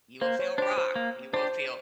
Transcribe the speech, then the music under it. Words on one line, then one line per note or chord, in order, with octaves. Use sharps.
You will feel rock, you will feel
A#3 C5
C#5
D4 G4 C5
C5
A#3
D4 G4 C5